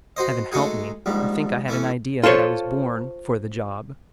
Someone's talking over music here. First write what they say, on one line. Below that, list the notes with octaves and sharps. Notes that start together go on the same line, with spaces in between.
Heaven help me, I think I had an idea that I was born for the job.
F#4 C5 D#5
G#3 A3 D#4 F#4 G#4
A#1 G#2 G3
E3 A3 C#4
F4 A4 C5 C#5